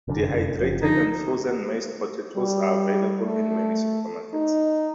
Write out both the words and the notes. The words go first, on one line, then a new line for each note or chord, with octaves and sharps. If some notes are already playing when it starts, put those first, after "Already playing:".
Dehydrated and frozen mashed potatoes are available in many supermarkets.
F1 F#2 D3
F#1 F3
D3 F3 D#4
G3
A3
D#4